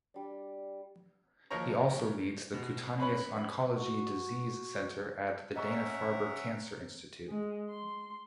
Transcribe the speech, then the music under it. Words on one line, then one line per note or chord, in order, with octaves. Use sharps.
He also leads the Cutaneous Oncology Disease Center at the Dana Farber Cancer Institute.
G3 D4
D#2 F3 A#4 C#5 A#5
B2
F#2 B4 C#5 B5
F#4
C#4 A#4 D#5 E5 F#5 A#5 C#6
G#3
C6